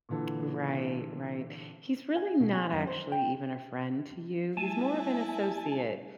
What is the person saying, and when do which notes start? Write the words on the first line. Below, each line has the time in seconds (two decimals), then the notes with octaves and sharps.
Right. Right. He's really not actually even a friend to you. He's more of an associate,
0.09 A#2 D3 E3 A4
2.16 G#5
2.40 B2
2.55 G#5
2.73 F#2
2.87 C5
3.12 G5
4.57 G3 A3 E4 G#5 A5